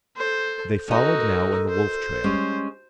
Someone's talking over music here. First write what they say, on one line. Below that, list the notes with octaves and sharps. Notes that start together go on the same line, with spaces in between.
They followed now in the wolf trail.
A4 C5
C#4 D#4 F#4 A4 D#5
A#4
C5
G3 G#3 C#4